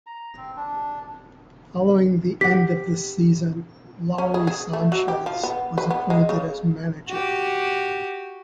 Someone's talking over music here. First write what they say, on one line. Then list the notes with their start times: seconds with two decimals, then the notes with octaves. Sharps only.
Following the end of the season, Lawrie Sanchez was appointed as manager.
0.06 A#5
0.37 C4
0.57 D4
2.41 G4 F#5 B6
4.18 C#4
4.34 G#4
4.47 G#4
4.73 A3
4.92 F#3
5.08 G4
5.26 F3
5.43 B3
5.78 B4
5.91 B3
6.10 G#3
6.29 C#3
7.09 F#4 G4